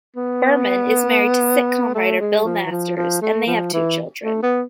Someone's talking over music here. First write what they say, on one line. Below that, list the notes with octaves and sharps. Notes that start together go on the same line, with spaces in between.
Berman is married to sitcom writer Bill Masters and they have two children.
B3
A3
G#3
F3
E3
F3
F3
A3
F3
E3
A3
B3